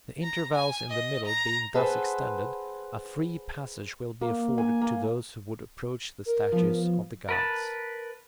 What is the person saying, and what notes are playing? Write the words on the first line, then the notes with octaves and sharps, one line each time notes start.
The intervals in the middle being thus extended, a free passage will be afforded to those who would approach the statues of the gods.
A#5
G#5
D#5
A#5
G#4 A4 B4 C5 F#5
A#3
G#5
A#3
A#4
F3 B3
A#4 B4 A5